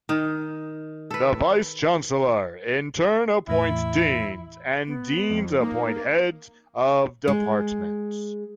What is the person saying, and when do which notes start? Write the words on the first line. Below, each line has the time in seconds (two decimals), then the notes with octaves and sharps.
The Vice Chancellor in turn appoints deans and deans appoint heads of departments.
0.09 D#3 D#4
1.11 A4 B4
3.48 E2 A2 E3 E4
4.87 B3
5.29 F2
5.60 A#3 D#4
7.28 G#3